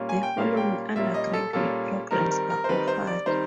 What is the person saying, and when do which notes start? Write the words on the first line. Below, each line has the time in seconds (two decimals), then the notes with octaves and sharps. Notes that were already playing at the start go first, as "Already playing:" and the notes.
The following undergraduate programmes are offered.
Already playing: A#2 G3 A#3 C#4
0.09 G#5
0.23 G5
0.37 A#2 G3 A#3 C#4 F5
0.57 G5
0.95 A#2 G3 A#3 C#4 E5
1.14 D#5
1.33 A4
1.53 A#2 G3 A#3 C#4 A4
2.11 D#3 G3 C4 D#4 A#4
2.31 A#4
2.50 A#4
2.64 C5
2.69 D#3 G3 C4 D#4 B4
2.88 C5
3.07 D5
3.26 D#3 G3 C4 D#4 C5